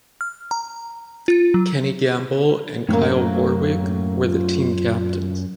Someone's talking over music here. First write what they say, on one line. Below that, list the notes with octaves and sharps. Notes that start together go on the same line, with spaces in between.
Kenny Gamble and Kyle Warwick were the team captains.
F6
A#5
F4
F#3
F#2 A2 F#3 A#3
F4